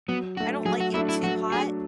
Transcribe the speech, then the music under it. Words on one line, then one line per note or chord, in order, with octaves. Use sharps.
I don't like it too hot,
F#3 B3
A3 D4 F#4
F#3 G#4
F#4
A3 D4 E4
E4
F#3 F#4
A3 D4 G#4